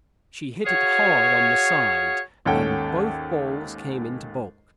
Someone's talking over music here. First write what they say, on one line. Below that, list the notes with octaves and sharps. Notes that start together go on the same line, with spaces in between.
She hit it hard on the side, and both balls came into baulk.
F#4 G#4 C#5 F5
D#2 G#2 C#4 A4 F#5 G5